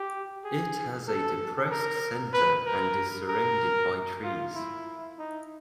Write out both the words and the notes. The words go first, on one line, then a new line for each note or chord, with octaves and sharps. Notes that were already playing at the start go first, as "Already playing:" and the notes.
It has a depressed centre and is surrounded by trees.
Already playing: G4
G#4
A4
A#4
B4
A#4
A#4
F4
E4
D#4